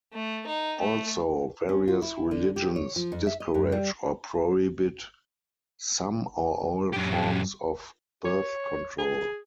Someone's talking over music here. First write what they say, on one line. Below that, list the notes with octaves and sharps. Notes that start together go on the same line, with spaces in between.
Also, various religions discourage or prohibit some or all forms of birth control.
A3
D#4
A3
C#4
F4
E4
D3
G4
C#5
F3
F2
E5
D#5
F#2
G3
F#2 G4
C#5
G#4